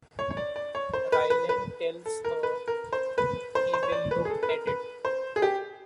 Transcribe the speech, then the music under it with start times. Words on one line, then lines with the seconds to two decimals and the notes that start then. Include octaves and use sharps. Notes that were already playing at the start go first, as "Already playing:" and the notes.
Raylan tells her he will look at it.
0.19 C#5
0.31 C#5
0.37 D5
0.56 D5
0.75 C#5
0.93 C5
1.12 B4
1.30 B4
1.49 B4
2.06 A4
2.25 A#4
2.43 B4
2.68 A#4
2.93 C5
3.18 B4
3.55 C5
3.73 C5
3.83 C#5
3.92 D5
4.11 B4
4.25 G#4
4.30 A4
4.43 B4
4.49 A#4
4.67 B4
5.05 C5
5.36 G#4
5.42 G4